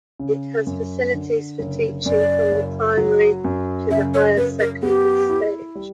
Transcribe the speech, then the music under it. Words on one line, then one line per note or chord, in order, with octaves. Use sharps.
It has facilities for teaching from the primary to the higher secondary stage.
C#3
F#2
D3
F#1
F#2 D5
F#1
F#3
F#2
C#3 E5
C#5
F#2 B4
A#4
B3 G4
E4
G3